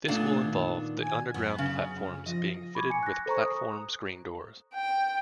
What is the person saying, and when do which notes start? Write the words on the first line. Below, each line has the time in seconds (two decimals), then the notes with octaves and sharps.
This will involve the underground platforms being fitted with platform screen doors.
0.08 A#2 A3 B3 D4
0.44 D#3
1.02 G#5
1.34 F#2 B3
1.58 C#3
2.26 F3 D#5
2.75 B5 C#6 D6 G#6
2.90 G#5 C#7
3.03 F#6 A#6
3.26 A4 C5 A#5 C#6
3.42 D#6
4.74 G5